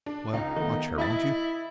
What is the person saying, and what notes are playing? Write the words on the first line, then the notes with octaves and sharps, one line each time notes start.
Well, watch her, won't you?...
D4
C#2 D#4
D#3 A3 B3
E4 D#5 E5 A6